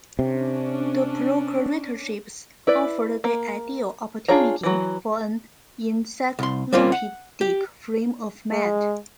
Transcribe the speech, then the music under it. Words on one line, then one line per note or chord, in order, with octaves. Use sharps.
The procuratorships offered the ideal opportunity for an encyclopedic frame of mind.
C3 C#4 D4
E4 B4 D5
A#3
D4 F4 G#4 C#5 A#5
E3 F#3
C2 C6
G3 A#3 C4 C#4 F4
F#5
G4
G#3